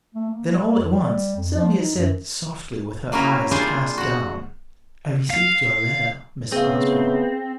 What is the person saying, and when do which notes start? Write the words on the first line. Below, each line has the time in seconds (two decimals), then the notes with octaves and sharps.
Then all at once Sylvia said softly, with her eyes cast down, "I received your letter, Mr. Osborne."
0.15 A3
0.30 A#3
0.50 G3
0.78 F2
0.93 G3
1.36 F2
1.56 F3
1.79 D#4
1.95 F#2
3.12 F#3 A#3 C#4 E4 A#4
3.51 C3 G3 D4 F4 G#4 C5
3.98 F#4 F#5
5.30 F5
6.52 C#3 A3 B3 C4 G#4 F5